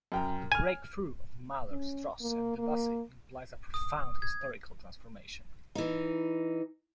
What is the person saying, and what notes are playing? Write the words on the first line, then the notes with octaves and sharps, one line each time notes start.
The "breakthrough" of Mahler, Strauss, and Debussy implies a profound historical transformation ...
F#2 G5 A#5
G#5 F6 G#6
C#4
A#3
A#3
D#6
G#6
E3 D#4